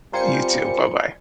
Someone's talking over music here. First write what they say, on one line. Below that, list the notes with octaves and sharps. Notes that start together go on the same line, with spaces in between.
You too, buh-bye.
G3 C4 F4 A#4 C5 G#5 C#7